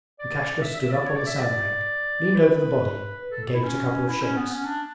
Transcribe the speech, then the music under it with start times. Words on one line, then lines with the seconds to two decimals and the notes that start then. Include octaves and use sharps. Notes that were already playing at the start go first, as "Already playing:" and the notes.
Lukashka stood up on the sandbank, leaned over the body, and gave it a couple of shakes.
0.19 D5
0.62 E5
0.77 E5
0.90 D5
1.05 C#5
1.16 D5
1.27 E5
1.38 D5
2.35 B4
3.31 A4
3.53 E4
3.64 C#4
4.08 E4
4.22 C#4
4.36 B3
4.51 C#4
4.65 D4